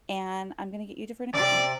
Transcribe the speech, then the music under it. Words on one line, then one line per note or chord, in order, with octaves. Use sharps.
and I'm gonna get you different equipment,"
F#2 C3 D5